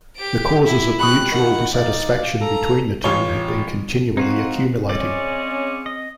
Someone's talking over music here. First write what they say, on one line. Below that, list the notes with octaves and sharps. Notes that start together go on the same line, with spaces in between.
The causes of mutual dissatisfaction between the two had been continually accumulating.
G4 D7
E4
G3 B5 C#6 D#6 F#6
D#3 F#5
D#4 D5 F5
A4 A#5
A1 F4 C#5 G7
C4 D#4 F4 F#4
C#3 G#3 C#4 D5
D#5